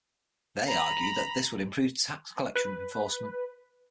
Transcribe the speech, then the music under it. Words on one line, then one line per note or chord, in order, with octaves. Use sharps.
They argued that this would improve tax collection enforcement.
A#5 B5
B4